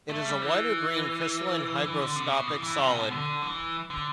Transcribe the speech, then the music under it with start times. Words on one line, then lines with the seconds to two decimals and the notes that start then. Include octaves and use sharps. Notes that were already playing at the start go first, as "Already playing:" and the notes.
It is a white or green, crystalline, hygroscopic solid.
0.09 A3
0.25 G3
0.42 E3
1.84 E3
2.00 D3
2.16 C3
2.31 B2
2.47 E3
2.63 E3
2.79 C3
2.95 B2
3.11 D3
3.42 E3
3.90 D3